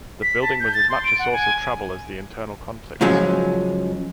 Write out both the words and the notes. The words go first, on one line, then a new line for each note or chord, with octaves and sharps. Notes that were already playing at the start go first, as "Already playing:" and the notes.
The building was as much a source of trouble as the internal conflicts.
B6
A5
G6
A6
C6
D7
F#5
G#5
G#2 C#3 F3 F#3 G#3 C#4